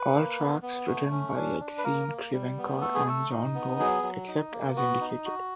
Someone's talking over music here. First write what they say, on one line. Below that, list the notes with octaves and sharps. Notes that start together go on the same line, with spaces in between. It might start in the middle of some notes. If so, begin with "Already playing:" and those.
All tracks written by Exene Cervenka and John Doe except as indicated.
Already playing: B4
A#3
B3
B3
A3
C#4
D4
D4
B4
A#3 A#4
A#3
G3
B3
A3 A4
G#4
A3 A4
D#4
B3
F#3 G#4
F#3
D#4
A#3
B3 F#4
D#4
F#4